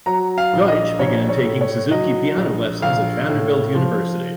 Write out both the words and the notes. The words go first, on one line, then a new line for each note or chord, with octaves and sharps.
Deutsch began taking Suzuki piano lessons at Vanderbilt University.
F#3 A#5
F5
A#1
D#5
A#1 C#5
C#5
A2
C#5
F#3 D#5
A#1
A#1 F5
A2
F3